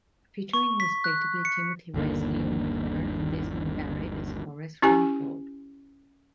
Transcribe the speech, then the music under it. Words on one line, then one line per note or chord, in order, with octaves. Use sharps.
Featuring respectively Timothy West, Leo McKern and Desmond Barrit as Horace Rumpole.
C#6
B6
F#6
C#7
G1 D#2 D3 A#3
C#4 E4 G4 G#5